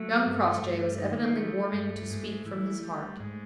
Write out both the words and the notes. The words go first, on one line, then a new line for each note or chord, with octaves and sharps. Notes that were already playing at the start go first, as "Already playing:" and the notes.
Young Crossjay was evidently warming to speak from his heart.
Already playing: F#3 A3
G2
G2
D#3
A#3
G3 A3
G2
G#2
E3
G3
G#2